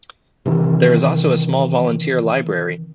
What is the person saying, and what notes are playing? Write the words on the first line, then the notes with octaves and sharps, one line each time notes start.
There is also a small volunteer library.
C3 D#3 E3